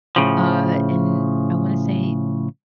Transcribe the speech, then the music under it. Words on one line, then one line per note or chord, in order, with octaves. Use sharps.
uh, and I wanna say
A2 C#3 F3